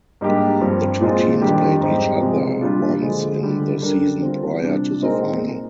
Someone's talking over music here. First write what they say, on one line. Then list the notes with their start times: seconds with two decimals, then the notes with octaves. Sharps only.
The two teams played each other once in the season prior to the final.
0.21 G#2 G3 A#3 D4 G4
0.61 G2 F3 C4
1.01 A#2 G#3 C4 F4
1.41 F2 D#3 G3 D4 G4
1.81 G#2 G3 C4 G4
2.21 C3 F3 G#3
2.61 A#2 G3 D4 F4
3.01 D3 F3 G#3
3.41 D3 G3 D4
3.81 D3 G3 D4 G4 A#4
4.21 G3 C4 F4
4.61 C3 G3 D4
5.01 A#2 G#3 C4 D#4 A#4